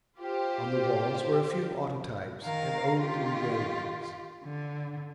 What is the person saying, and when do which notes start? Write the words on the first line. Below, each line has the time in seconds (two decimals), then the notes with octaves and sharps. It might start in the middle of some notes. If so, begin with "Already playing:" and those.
On the walls were a few autotypes and old engravings.
0.19 F4 G4 C5
2.43 D#3 A#4 F5
2.98 D#3 F4 G4
4.45 D3